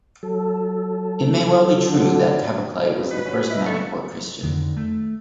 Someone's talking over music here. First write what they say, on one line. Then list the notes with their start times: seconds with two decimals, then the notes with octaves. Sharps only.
It may well be true that Kaboklei was the first Manipur Christian.
0.23 F#3 A4
1.86 D3
2.95 G2
3.11 D#4 F#4 B4
3.26 C#4
3.50 E4 D#5
3.66 A4 C#6
4.43 F2 D3 D#3
4.76 A3